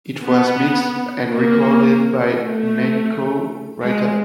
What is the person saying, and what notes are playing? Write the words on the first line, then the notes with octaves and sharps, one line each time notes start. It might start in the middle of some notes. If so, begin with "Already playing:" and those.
It was mixed and recorded by Mikko Raita.
B3
A#3
A3
G#3